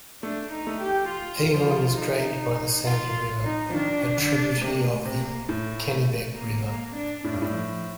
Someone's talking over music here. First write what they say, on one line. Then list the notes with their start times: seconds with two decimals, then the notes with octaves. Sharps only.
Avon is drained by the Sandy River, a tributary of the Kennebec River.
0.22 A3 D4
0.51 D#4
0.67 A3
0.81 G4
1.10 F4
1.54 F3
1.98 D#4
2.85 F4
3.44 D#4
3.69 F3
3.74 D#3 D4
4.17 D3
4.61 C3 A#3
4.91 A3
5.05 C3
5.20 A#3
5.49 A2 A3
6.37 A#3
6.66 A#3
6.96 D4
7.24 A2 D4
7.33 G2
7.42 A2
7.53 F3